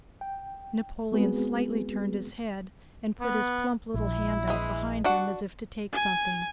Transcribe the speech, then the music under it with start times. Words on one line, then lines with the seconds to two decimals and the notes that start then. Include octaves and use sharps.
Napoleon slightly turned his head, and put his plump little hand out behind him as if to take something.
0.21 G5
1.12 G#3 B3 C4 F#4 G#4 B4
3.21 B3
3.94 A#1 E4
4.48 E3 G#3
5.04 D4 F#4 F#5
5.93 G#5